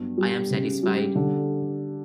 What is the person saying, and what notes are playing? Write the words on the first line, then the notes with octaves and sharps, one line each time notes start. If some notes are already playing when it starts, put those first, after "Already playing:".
I am satisfied.
Already playing: G2 F#3 B3
G3
C#3
G3
D3